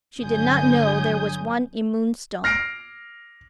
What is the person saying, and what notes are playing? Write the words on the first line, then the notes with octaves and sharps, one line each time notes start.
She did not know there was one in Moonstone.
G1 D3 F#3 G#5 D#6 G6
F6 A#6 C7 D7